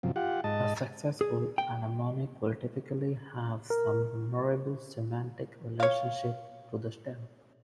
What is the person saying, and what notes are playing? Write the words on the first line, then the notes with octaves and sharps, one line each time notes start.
A successful anamonic will typically have some memorable semantic relationship to the stem.
F#2 C3 F3
F4 G4 F#5
G#2 D#5 A5
G#4
G5
A#4
C#5 F5